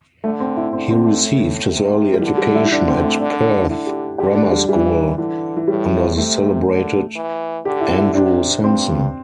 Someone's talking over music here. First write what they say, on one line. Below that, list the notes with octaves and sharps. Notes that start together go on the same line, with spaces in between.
He received his early education at Perth Grammar School under the celebrated Andrew Simson.
D3 A3
C4
E4
D3 C4
C4
A3
A2
C3
G3
D3 E3
G3
E4
D3 D4
C4
A3
D3 D4
D3 E4
G4
D3 G4
D4
G3
E3 G3
D3 E3
E3
A2 G3
C3 A3
D3
E3
D3 G4
E4
E4
C3 D4
G2 C4